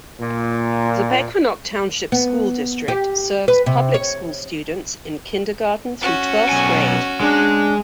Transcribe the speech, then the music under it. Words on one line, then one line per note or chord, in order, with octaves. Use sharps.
The Pequannock Township School District serves public school students in kindergarten through twelfth grade.
A#2
B3
G4
B4
C3
C#5
C#4 F#4
B1 G#5
G#3 D4